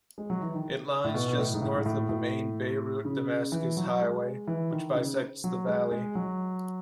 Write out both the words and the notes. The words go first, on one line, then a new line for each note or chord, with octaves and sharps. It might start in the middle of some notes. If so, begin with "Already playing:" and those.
It lies just north of the main Beirut-Damascus highway, which bisects the valley.
G#3
F#3
E3
D#3
A2
B2
B2
A2
G#2
A2
G#2
A2
A2
C#3
E3
F#3
G#3
E3
D#3
C#3
F#3
G#3
G#3
F#3